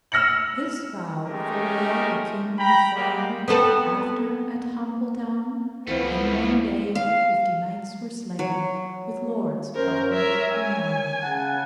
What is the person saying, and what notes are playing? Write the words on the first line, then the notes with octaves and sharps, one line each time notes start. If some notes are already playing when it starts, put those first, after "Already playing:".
This vow full well the king perform'd After, at Humbledowne; In one day, fifty knights were slayne, With lordes of great renowne.
E6 F6 A#6 C#7 F#7
G#3 A3 C#4 D#4 G4 A#4
G5 A#5 B5
G3 G#3 A#3 F#4 G4
B3 C4 A4
C#2 E3 F3 A3 B3 C4 E4 F4
F5
F#3
F#2 C#4 A#4 C5
A#4 C#5 E5
G#5
C#3 F#5 A5